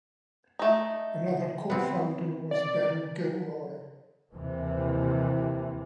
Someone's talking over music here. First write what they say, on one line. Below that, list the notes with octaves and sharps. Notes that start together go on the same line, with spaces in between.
Another cofounder was Beryl Gilroy.
A3 D#4
B3 C4
D5
D#2 C3 E3